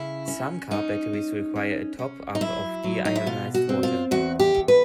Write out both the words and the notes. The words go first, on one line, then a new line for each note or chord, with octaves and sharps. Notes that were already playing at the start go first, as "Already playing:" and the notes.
Some Car batteries require a top-up of deionized water.
Already playing: C#3 E4
C#4
C#4 D#4
C#4
C#4
C#4
D#4
F#3 E4
F#3
D#4
E4
B2 F4
F#4
C4
F4
E2 F#4
G4
E2
B4